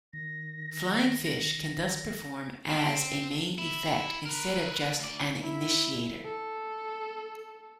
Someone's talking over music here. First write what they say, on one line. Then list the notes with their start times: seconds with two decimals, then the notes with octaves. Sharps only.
Flying fish can thus perform as a main effect instead of just an initiator.
0.13 D#3 A#6
2.70 C4
3.58 E4
4.25 A#4 B4
4.99 D2 D5
5.41 E4
6.25 A4